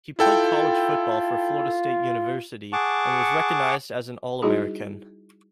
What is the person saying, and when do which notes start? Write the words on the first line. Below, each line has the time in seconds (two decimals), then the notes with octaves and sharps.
He played college football for Florida State University and was recognized as an All-American.
0.19 E4 F4 A4 G5
2.73 G#4 F#5 A5 C#6 D6
4.42 G3 D#4 E4 F#4 G#4